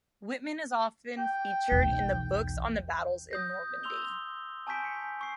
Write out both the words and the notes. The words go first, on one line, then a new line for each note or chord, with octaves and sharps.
Wittmann is often featured in the books on the battles in Normandy.
G5
B1 E2
D#6 G6 A#6
C6 E6 F7 G7
G#5 A5 C#6 G6 B6 D7
C#7
C#6 C7